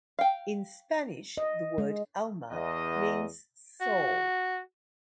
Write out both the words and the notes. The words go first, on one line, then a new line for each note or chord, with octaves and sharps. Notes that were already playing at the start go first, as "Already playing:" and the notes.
In Spanish the word "alma" means soul.
F5 G5
D#5
G#3
E2 D#5
F#4